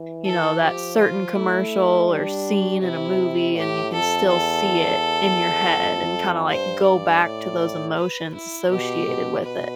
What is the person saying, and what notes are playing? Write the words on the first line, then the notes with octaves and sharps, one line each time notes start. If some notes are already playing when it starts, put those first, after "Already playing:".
you know, that certain commercial or scene in a movie and you can still see it in your head and kinda, like, go back to those emotions associated with it.
Already playing: E3
A4
F3 G4
F4
A3 E4
G3 D4
C3 E4
A2 G4
F2 A4
E2 A4
F2
G2 C5
D5
A2
B4
E4
B2 G4
B2
B2 B4